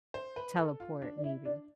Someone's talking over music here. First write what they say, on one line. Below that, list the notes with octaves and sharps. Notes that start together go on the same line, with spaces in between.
teleport, maybe.
C5
B4
A4
F4
D4
D5
E4 E5
D4 D5